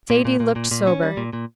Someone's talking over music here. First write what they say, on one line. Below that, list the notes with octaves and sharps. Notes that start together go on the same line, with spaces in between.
Sadie looked sober.
A#2
A#2
A#2
A#2
A#2
C#4
G3
A#2
A#2